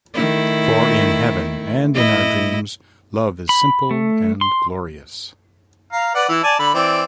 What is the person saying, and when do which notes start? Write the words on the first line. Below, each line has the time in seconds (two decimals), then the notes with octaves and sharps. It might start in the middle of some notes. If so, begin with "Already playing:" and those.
For in heaven and in our dreams, love is simple and glorious.
0.14 D#3 A3 E4
1.94 A2 E4 D#5
3.49 B5
3.91 A3
4.41 C6
5.93 F5 A#5
6.15 B4 D5 F#5
6.29 E3 E4
6.44 D5 G#5 A5
6.59 D3 B5
6.74 E3 C4 D5